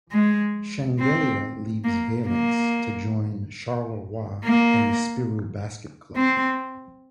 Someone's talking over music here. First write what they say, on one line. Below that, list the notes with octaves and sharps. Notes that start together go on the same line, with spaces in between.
Shengelia leaves Valence to join Charleroi and the Spirou Basket Club.
G#3
C4
A#3
A#3
A#3
C4